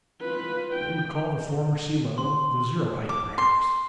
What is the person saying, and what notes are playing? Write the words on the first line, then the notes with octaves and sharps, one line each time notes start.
They would call the former sea-level the zero-height, perhaps.
F4 B4
G5
C6
D6
C6